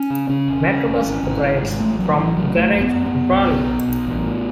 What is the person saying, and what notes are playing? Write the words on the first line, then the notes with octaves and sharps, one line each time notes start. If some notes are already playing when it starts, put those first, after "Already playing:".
Metrobus operates from a garage in Crawley.
Already playing: C#4
C#3
C#3 C#4
E1
C#3
E1
G#1
G#1
G#1
G#2
A1 A3
A2 F#3
A1 E3
A2 F#3
G#1 A3
F#2
B3
F#2
B3
F#2
B1
B1
B2
B1
A1
A2